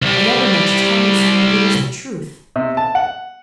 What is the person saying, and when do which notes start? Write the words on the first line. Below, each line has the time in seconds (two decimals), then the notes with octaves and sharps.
I never meant to tell you so, but it is the truth.
0.02 C2 G3
2.56 C3
2.77 A5
2.95 F#5